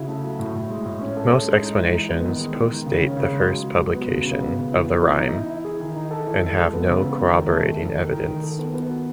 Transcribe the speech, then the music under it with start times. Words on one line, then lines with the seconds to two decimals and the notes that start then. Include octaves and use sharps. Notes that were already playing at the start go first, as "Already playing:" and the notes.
Most explanations post-date the first publication of the rhyme and have no corroborating evidence.
Already playing: C#3 E4 F#4
0.08 A3
0.23 F#3
0.39 A2
0.55 A2
0.70 G#3
0.86 A2
1.01 C#4
1.17 A4
1.32 G#3
1.47 G#3
1.62 D#4
1.78 E3
1.93 D#4
2.09 B3
2.24 D#3
2.40 G#3
2.56 D#3
2.71 D#3
2.86 C#3
3.02 C#4
3.17 C#3
3.33 G#3
3.48 F#3
3.64 F#3
3.79 F#3
3.95 B3
4.10 C#3
4.25 C#3
4.41 B3
4.56 C#3
4.72 E3
4.87 B3
5.03 E3
5.18 D#4
5.34 E4
5.50 E4
5.64 G#4
5.80 D#3
5.96 D#4
6.11 A4
6.27 E3
6.42 A4
6.57 G#3
6.73 B3
6.89 C#3
7.04 B3
7.19 D#3
7.34 D#3
7.50 A3
7.66 A3
7.81 D#3
7.97 D#3
8.12 D#3
8.28 D#3
8.43 A4
8.59 B3
8.74 B3
8.89 F#4